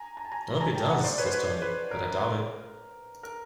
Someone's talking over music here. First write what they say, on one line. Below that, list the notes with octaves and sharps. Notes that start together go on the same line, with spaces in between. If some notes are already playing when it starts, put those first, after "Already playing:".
"I hope he does," says Tony, "but I doubt it."
Already playing: G#5 A#5
A#5
A5
G#5 A#5
G#5 A#5
G5 A5
F#5 G#5
C5 D5
B4 C#5
C5
B4
B4
A#4
A#4